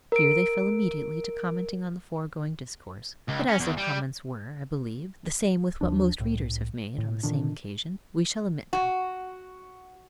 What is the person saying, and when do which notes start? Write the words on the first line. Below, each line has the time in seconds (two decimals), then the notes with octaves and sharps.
Here they fell immediately to commenting on the foregoing discourse; but, as their comments were, I believe, the same with what most readers have made on the same occasion, we shall omit them.
0.12 A#4 D7
3.29 C#2
3.49 C#4
3.60 E2
3.78 G3
5.81 D#2 F3 D4
6.19 C2 A2
6.98 A2
7.23 A#2 D3 D#3 D4
8.73 F#4